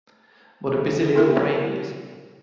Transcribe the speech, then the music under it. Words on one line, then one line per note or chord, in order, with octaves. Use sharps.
What a busy little brain it is.
B3 E4 G4 A#4 E5